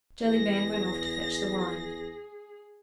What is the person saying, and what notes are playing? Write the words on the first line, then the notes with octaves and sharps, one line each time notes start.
Jellyband went off to fetch the wine.
E2 G#4 A#6